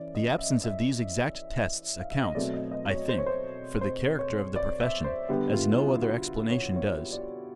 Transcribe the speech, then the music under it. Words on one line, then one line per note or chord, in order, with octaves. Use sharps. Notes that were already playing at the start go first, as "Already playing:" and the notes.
The absence of these exact tests accounts, I think, for the character of the profession, as no other explanation does.
Already playing: E3 C#4 D5
D#5
E5
E5
F5
E5
D#5
B2 F#3 A3 C4 D5
D#5
D#5
C#5
C5
C#5
C5
C5
C#5
D5
E5
C5
D3 G3 B3 G4
F4
E4
F4
F#4
C#5
C#5
D5